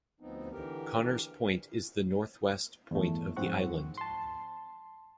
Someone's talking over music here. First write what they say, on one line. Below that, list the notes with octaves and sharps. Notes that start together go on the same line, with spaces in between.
Connors Point is the northwest point of the island.
D2 F3 B3 C4 D#4
D3 E3 G4 A#4
E2 G2 A3
G#2 F3 C4 F#5 C#6
A5 C6